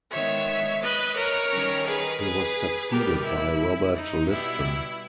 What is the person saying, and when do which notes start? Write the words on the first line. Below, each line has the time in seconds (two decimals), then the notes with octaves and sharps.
He was succeeded by Robert Liston.
0.11 D#3 G#3 B3 C#5 E5
0.81 B4 D#5
1.15 A#4 C#5
1.50 D#3 G3 C#4
1.85 G#4 B4
2.19 G#4 B4
2.89 B2 G3 B3 G4 A#4
3.24 E4
3.94 D#4
4.28 B2 G3 B3 E4